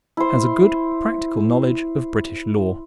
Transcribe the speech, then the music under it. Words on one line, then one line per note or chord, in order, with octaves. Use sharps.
Has a good practical knowledge of British law.
E4 C5